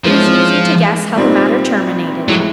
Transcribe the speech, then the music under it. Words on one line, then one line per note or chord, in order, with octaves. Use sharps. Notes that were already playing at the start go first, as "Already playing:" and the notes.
It is easy to guess how the matter terminated.
G#2 E3 F3 G#3 C#4
C2 A#2 G3 C4 D#4
A2 E3 F#3 G#3